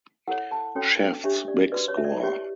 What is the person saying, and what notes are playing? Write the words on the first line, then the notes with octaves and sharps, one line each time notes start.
Shaft's Big Score!
E4 A4 C#5 F#5
A5
C#4 F#4 A4 C#5 G5
G5
D4 G4 C#5 E5
D5
F#4 B4 D5
C#5
E5
D5
E4 G4 C#5 E5